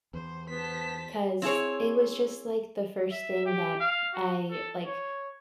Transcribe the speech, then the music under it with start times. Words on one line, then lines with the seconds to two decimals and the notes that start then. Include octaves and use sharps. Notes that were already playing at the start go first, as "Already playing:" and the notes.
'cause it was just, like, the first thing that I like,
0.14 E2 C5
0.50 B3 C5 A5 B6
1.42 C4 E4 G#4 C#5
3.11 E5
3.46 G4
3.80 F5
4.13 F#4
4.50 A4
4.86 C#5